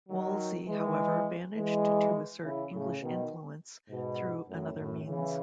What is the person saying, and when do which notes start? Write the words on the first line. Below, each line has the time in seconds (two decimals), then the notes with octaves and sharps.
Wolsey, however, managed to assert English influence through another means.
0.09 D#3 F#3
0.67 E3 G#3
1.55 E3 G#3
2.43 C#3 E3
2.72 A2 C#3
3.01 B2 D#3
3.89 G#2 B2
4.48 F#2 A2
4.76 F#2 A2
5.06 C#3 E3